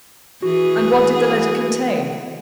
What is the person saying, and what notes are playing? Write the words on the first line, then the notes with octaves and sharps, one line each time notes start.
"And what did the letter contain?"
E3 F#4 G#4